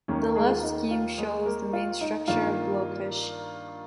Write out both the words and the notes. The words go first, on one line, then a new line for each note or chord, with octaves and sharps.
The left scheme show the main structure of Blowfish.
D#2 D#3 A#3 C#4 C#5
A#3 A#4
G#3 G#4
F4
D#4
F4
G#3 G#4
A#3 A#4
F4
D#4
G2 D#3 A#3 F4